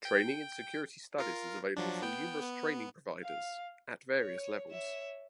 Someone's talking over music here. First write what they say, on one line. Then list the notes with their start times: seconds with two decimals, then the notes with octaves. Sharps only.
Training in Security Studies is available from numerous training providers - at various levels.
0.05 G5
1.19 F4 A#4
1.76 F3 F#3 D4
2.02 B3 G5
2.42 B3
3.22 F5
4.15 C#5
4.69 C#5 E5